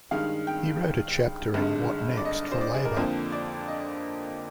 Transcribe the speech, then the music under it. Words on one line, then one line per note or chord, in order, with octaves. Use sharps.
He wrote a chapter in What Next for Labour?
G2 D#3 G#3 F5
G5
G#1 G2 D3 G#3
D5
D#5
C5
D5
G#4
A#4
F2 D3 F3 A#3 C5
D5
D#5